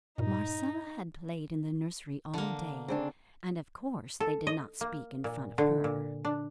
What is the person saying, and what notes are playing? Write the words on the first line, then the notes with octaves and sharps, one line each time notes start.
Marcella had played in the nursery all day and of course they did not speak in front of her.
G2 A#2 D#4
D3 A#3
C#3 C4 D4
A4
D#5
A#3
A#2
D3
A#2
D4